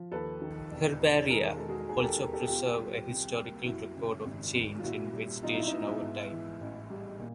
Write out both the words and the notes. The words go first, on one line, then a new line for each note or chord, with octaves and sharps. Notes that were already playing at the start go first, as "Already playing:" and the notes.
Herbaria also preserve a historical record of change in vegetation over time.
Already playing: F3
D#2 A4 B4
D#3
E1
E1
D#3 G#4 A#4
A#4
G#3 A4
F#4 G#4
D#2 F#4 G#4
A#4
G4 A4
B3 G#4 A#4
G4 A4
G#4
B2 F4 G4
G3
C2
A#3
F#2 E4 F#4
C#3
G#1
G#1
F4
A#2 E4 F#4
G3
B1 D#4 F4
D#4
E4
D#4
B3 E4
D#4
E4
G#2
E3
A1
G3
A#2